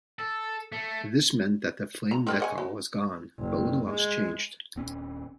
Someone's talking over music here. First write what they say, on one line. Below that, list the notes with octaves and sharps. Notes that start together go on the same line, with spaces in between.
This meant that the flame decal was gone, but little else changed.
A4
A3
A#5
C4 A#4 D5
D#5 F#5 G#5
F#4
F#1
G#3
D#1 C4 C#4